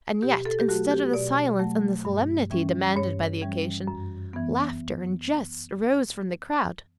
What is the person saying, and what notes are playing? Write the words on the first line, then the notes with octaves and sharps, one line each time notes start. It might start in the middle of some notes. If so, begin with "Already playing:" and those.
And yet, instead of the silence and the solemnity demanded by the occasion, laughter and jests arose from the crowd.
B2 G4
A4
G4
F#3 A3 F#4
G4
B2 D5
F#3 A3
G2
E3 G3 C#4
G2 C#5
E3 G3 C#4
F#2
E3 B3